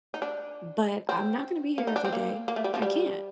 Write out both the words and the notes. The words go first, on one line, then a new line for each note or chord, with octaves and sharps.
but I'm not going to be here every day. I can't.
D#4
D4
C4
A#3
D#4
D4
C4
A#3
A#3
A3
G3
F3
G3